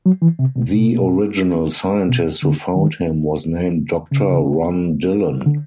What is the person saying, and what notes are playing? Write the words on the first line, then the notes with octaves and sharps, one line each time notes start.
The original scientist who found him was named Doctor Ron Dillon.
F#3
E3
C3
B2
B2
B2
D3
D#3
C#3
D3